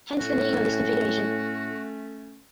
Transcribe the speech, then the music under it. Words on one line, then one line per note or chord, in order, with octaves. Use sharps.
Hence the name of this configuration.
A2 A3 C#4 F#4